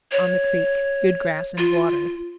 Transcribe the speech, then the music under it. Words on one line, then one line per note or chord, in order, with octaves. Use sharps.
On the Creek.--Good grass and water.
C#5
F4